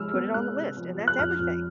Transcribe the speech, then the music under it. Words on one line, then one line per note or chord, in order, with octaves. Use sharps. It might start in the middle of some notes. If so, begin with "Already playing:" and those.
put it on the list, and that's everything.
Already playing: C3 F3 G#3 E6 F6
B3
G#3 F#6
C3
F3
F3
F#6
F2 F6
F2